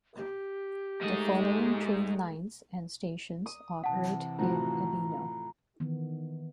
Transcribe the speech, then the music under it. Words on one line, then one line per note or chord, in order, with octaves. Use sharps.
The following train lines and stations operate in Ebino.
G4
G#2 G#3 A3 D#4 D#5
D#6
C3 E3 F#5 A5
A2 F3 F#4 A#5
D#3 E3 B3